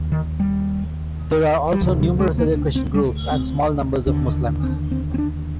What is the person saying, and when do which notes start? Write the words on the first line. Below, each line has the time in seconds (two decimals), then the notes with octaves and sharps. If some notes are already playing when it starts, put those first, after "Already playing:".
There are also numerous other Christian groups and small numbers of Muslims.
Already playing: D#2
0.12 D#3
0.40 G3
1.72 G3
1.81 D2 C3 F3
2.00 G3
2.19 G#3
2.38 A#3
2.55 D4
2.75 C4
2.94 G3
3.32 C4
4.07 D#2 D3 D4
4.63 C4
4.91 C4
5.14 C4
5.18 D4